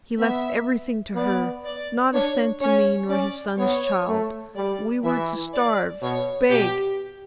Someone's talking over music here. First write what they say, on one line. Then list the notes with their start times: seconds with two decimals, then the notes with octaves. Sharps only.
He left everything to her--not a cent to me nor his son's child--we were to starve--beg.
0.19 B3 E5
1.15 B3 D5
1.65 D5
2.13 D4 C#5
2.62 C#4 C#5
3.09 C#4 D5
3.59 B3 C#5
4.08 A3
4.56 G3 D5
5.04 E3 E5
5.54 D5
6.02 B2 C#5
6.50 B2 G4